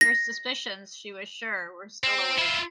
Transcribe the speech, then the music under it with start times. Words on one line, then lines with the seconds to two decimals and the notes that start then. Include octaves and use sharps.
Her suspicions, she was sure, were still awake.
0.01 A#6
2.04 C4
2.39 E4 F4